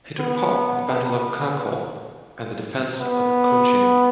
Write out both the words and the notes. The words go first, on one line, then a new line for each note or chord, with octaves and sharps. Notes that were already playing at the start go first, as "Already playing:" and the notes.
He took part in the Battle of Kircholm, and the defense of Chocim.
B3
B3